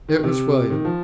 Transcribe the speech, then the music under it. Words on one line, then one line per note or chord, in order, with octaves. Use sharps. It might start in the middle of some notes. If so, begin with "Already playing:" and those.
It was William.
D#3
C3
D#3
F3